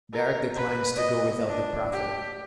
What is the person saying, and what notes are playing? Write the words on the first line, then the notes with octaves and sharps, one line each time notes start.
Barak declines to go without the prophet.
A#4
B4
D#5
D4
G4